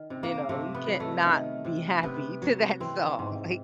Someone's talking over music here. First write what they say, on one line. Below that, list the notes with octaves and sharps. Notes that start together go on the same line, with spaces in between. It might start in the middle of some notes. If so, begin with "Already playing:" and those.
you know, you can't not be happy to that song, like,
Already playing: D#3
C3
A#3
C3 A3
B3
F#3
A3
D#3
C3
C3 B3
F#3
E3 C4
G#2